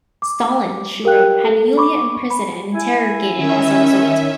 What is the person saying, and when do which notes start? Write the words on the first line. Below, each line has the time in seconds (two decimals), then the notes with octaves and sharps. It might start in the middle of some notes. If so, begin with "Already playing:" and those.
Stalin, she wrote, had Yulia imprisoned and interrogated as a result.
0.22 D6
1.04 G4 A#4 F5 G5 F#6
1.44 A4
1.77 B5 C#6 D6
2.30 B5
2.75 E4 G#5
3.36 D#3 C#4 E5